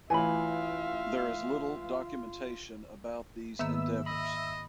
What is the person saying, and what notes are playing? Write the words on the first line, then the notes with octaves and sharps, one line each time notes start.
There is little documentation about these endeavors.
A1 E3 F4 E5 F5 G#5 B5
G#2 D#3 A#3 B3 E5 E6
D#5 B5